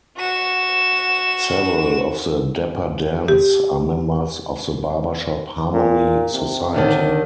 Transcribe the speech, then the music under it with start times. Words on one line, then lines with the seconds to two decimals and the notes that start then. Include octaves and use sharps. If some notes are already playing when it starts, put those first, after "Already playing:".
Several of the Dapper Dans are members of the Barbershop Harmony Society.
0.17 F#4 E7
3.28 G4
5.73 A#2
6.34 C3
6.74 D#2 D3 D#3